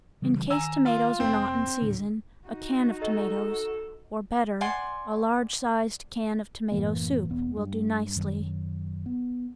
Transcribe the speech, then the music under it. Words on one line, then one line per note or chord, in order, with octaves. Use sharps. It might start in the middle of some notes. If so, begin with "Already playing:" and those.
In case tomatoes are not in season, a can of tomatoes, or, better, a large-sized can of tomato soup will do nicely.
C#3 E3 G3
D#3 G#5 A#5 E6
F4
F1 C4
D#1 A2 D3
D#4 F#4
A4 D#5
D5 F#5 G#5 C6
F#2 A2 E3 A#3
E1 B3
G2
F#2 D#3 F#3
B3